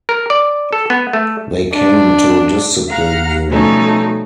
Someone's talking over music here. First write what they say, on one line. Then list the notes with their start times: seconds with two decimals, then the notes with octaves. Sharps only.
They came to discipline you.
0.09 A#4
0.30 D5
0.73 A4
0.90 B3
1.13 A3
1.74 D4
2.89 F5 F#5 A#5 F6
3.48 B2 F3 G3 A3 C#4 D#4